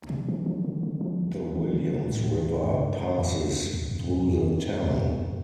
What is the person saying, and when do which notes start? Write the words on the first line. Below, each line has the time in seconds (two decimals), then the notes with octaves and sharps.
The Williams River passes through the town.
0.10 C3
0.29 E3
0.46 F3
0.65 D3
0.83 D3
1.01 F3
1.56 E3
1.73 D3
1.91 C3
2.10 A2
2.64 G2
3.18 F2
3.74 E2
3.91 F2
4.09 F2
4.28 F2
4.82 F2
5.01 E2
5.18 F2